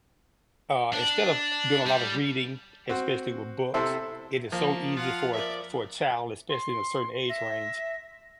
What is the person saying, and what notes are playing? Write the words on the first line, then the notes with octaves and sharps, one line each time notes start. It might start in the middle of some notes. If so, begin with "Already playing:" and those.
Uh, instead of doing a lot of reading, especially with books, it is so easy for a for a child, especially in a certain age range,
D4
G3
C4 F#4
C3 E4 A4 C5 E5
F3 A#3
F4 F5 F#5
A#4 D5 E5
C6
E5 A#6